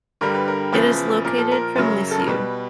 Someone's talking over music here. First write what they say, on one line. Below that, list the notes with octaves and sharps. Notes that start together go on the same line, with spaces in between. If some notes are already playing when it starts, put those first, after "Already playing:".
It is located from Lisieux.
G2 D3 G3 A#4
B4
A#4
E2 C#3 F3 B4
A#2 F3 A#4
A4
A#4
F#2 C#3 F#3
A4
A#4
B2 G3 B4